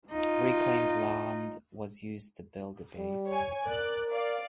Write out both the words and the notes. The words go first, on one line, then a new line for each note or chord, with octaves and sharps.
Reclaimed land was used to built the base.
D#4 F4
G3
C#5 G#5
A#4 D5 F#6
D5 F5